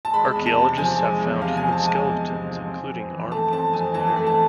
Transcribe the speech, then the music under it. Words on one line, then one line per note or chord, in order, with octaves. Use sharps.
Archeologists have found human skeletons including arm bones in the area.
A5
G#3 B5
E2
A5
C3
F3 G#5
G#3
E2
C3 F5
G#5
F3
G#5
A5
G#3 G#5
E2
C3
F3
C4
F2
E3
A3 A5
C4 A5
F2 G#5
E3 A5
A3
A5